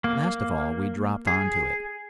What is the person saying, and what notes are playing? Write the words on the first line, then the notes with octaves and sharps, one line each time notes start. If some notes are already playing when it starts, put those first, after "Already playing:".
Last of all we dropped on to it.
A#3
G#4